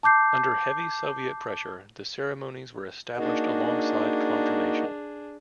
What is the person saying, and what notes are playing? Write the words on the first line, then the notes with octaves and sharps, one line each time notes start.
Under heavy Soviet pressure the ceremonies were established alongside confirmation.
A5 D6 G6 C7
A#3 D4 D#4 F#4 G#4